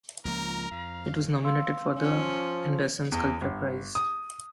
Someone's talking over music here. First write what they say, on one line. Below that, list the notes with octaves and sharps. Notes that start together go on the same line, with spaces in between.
It was nominated for the Anderson Sculpture Prize.
C#2 F3 A#3 A#4 A#5
F2 F5
F5 C6 E6
F3 C#4
E2
G1
D#6